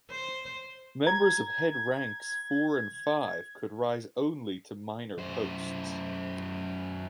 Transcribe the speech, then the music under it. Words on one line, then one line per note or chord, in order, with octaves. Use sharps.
Members of head ranks four and five could rise only to minor posts.
C5
A#5 G#6
F#2 C5